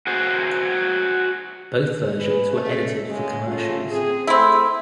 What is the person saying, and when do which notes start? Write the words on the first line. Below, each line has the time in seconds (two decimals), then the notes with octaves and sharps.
Both versions were edited for commercials.
0.07 F#4 G#4 C5
2.19 G#4 B4
2.52 C#3 A3
3.10 C#3 G#3
3.47 A3 C#4 F4
3.91 C4 G#4
4.27 A3 C4 E4